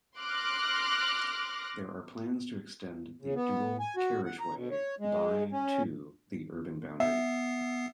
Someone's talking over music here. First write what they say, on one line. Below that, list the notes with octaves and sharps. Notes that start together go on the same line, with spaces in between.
There are plans to extend the dual carriageway by to the urban boundary.
C6 D6 F6 F#6 A#6
C#3
B3
G#5
F#4
F#5
A#5
B2
C#5
G#3
C#4
B3 E5 C7